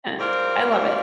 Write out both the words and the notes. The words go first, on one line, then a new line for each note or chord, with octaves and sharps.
and I love it.
G#2 G3 C4 F4 A#4
G#2 G3 C4 F4 A#4